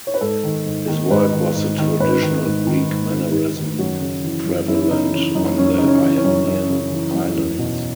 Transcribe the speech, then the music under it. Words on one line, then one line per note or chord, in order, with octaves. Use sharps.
His work was the traditional Greek mannerism prevalent on the Ionian Islands.
C#5
B4
G#2 A4
D#3
G#2
D#3
G#2 B4
D#3
G#2
D#3
G#2 B4
D#3
G#2
D#3
G#2
D#3
G#2
D#3
F#2 F#4
C#3
E3
F#2
F#2 E4
C#3 D#4
E3 C#4
F#2 D#4
F#2 C#4
C#3 D#4
C#4
E3
C#4
F#2
F#2
C#3
E3
F#2
E2
B2